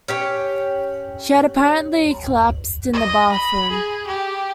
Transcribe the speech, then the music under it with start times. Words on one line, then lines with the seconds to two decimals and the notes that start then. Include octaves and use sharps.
She had apparently collapsed in a bathroom.
0.08 C#4 G4 C#5
2.93 D#5
3.32 B5
3.71 G#4
4.07 G4